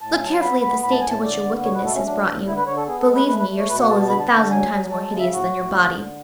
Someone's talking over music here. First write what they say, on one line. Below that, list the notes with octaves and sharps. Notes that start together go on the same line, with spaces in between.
"Look carefully at the state to which your wickedness has brought you; believe me, your soul is a thousand times more hideous than your body."
A2 A5
G#5
F#3 A5
B3 B5
B3 B5
A2 B5
A5
A2 G#5
A5
D3 D5
B3
B2 C#5
B4
A3 A4
C#4
F#3 D4
A2
D3 E4
B4
D3 C#5
A4
B3 G#4
A4
G#3
B4
A3 B4
B4
A3
C#5
B2 B4
F#5
B3 A5
A5
D3 B5
A5
D3 B5
A5
F#3 G#5
F#3
G#3 A5
A5
C#3
E5
A2 F#4
A2
D3
D3